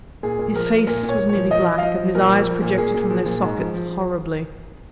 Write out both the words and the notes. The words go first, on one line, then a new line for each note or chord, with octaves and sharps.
His face was nearly black, and his eyes projected from their sockets horribly.
A#2 G#4
A#2
F3 A#4
F3
A#2 A#4
A#2
C#5
A#2
C#5
F3
F3 D#5
F3
F5
F3 D#5
F3
A#2 A#4
F3
F3
A#2
A#2 G#4
A#2
F3
A#2
G#2
F3
F3
F3